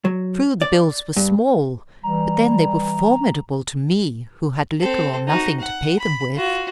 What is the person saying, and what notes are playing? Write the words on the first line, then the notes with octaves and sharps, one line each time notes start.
It is true, the bills were small, but then they were formidable to me, who had little or nothing to pay them with.
F#3
D5
G2
E3 G3 A#5
C4 A4
D#4 F#4
F#5
B5
F4 F#4